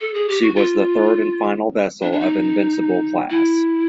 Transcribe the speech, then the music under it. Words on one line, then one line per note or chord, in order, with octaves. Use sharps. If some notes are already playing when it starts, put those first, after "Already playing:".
She was the third and final vessel of "Invincible"-class.
A4
G#4
G4
F#4
F4
D4
D4
D#4
E4